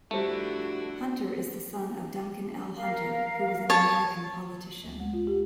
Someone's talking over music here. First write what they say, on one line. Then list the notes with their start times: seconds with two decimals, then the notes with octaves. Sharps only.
Hunter is the son of Duncan L. Hunter, who was an American politician.
0.11 F2 D3 G3 A3 D4 E4 F#4 C5
2.77 A#4 F5
3.70 C#5 A5
4.84 D2
5.00 G#3
5.13 F4
5.27 G4